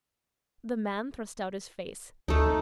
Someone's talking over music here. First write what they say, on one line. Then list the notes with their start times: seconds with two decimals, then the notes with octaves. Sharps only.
The man thrust out his face.
2.28 D2 A3 D#4